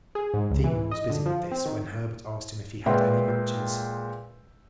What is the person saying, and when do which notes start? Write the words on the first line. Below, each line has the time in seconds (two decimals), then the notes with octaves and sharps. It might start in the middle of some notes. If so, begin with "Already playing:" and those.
The seaman was busy with this, when Herbert asked him if he had any matches.
0.15 G#4
0.34 G#2
0.51 C#2
0.64 E3
0.91 D#5
1.10 D3
1.26 F3
1.52 C4
1.66 D#3
2.86 A#2 G#3 B4 E5 G5 C6